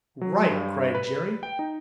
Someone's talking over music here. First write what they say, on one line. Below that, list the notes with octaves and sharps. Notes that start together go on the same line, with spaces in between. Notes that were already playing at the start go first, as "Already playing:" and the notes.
"Right!" cried Jerry.
F#3
G2
B4
G5
D#4